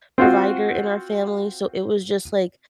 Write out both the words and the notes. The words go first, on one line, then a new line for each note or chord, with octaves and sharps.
provider in our family, so it was just, like,
C4 F4 F#4